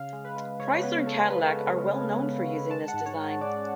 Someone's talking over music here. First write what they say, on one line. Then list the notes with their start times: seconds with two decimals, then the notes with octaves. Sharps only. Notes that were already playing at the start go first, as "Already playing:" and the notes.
Chrysler and Cadillac are well known for using this design.
Already playing: C#3 F5
0.13 G#3
0.25 B4
0.36 G#3
0.59 C#3 C#5
0.83 B3 B4
1.07 C#3 A4
1.30 B3 B4
1.53 G#3
1.77 G#3
2.01 G#3
2.24 B3
2.47 C#3
2.71 G#3 A5
2.88 F#5
2.94 G#2
3.06 C#5
3.18 G#2
3.23 C#5
3.41 C#4 D5